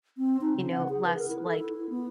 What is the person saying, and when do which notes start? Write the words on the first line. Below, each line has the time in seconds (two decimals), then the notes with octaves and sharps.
you know, less, like,
0.18 C4
0.41 D#4
0.57 C#3
0.71 F#5
0.89 G#4
1.05 B4
1.17 A#4
1.28 E4
1.43 A4
1.59 E4
1.73 E4
1.90 B3